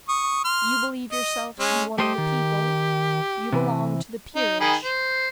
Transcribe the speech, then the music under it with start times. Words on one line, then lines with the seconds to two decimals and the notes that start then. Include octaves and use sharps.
You believe yourself to be one of the people; you belong to the peerage.
0.09 C#6 D#6
0.44 C6 F6
1.12 D#5
1.59 G#3 C#4
1.98 A3 G4 C5 D#5
2.18 D#3
3.52 C3 E3
4.36 D#4
4.60 D#3 G#4 B5
4.84 C5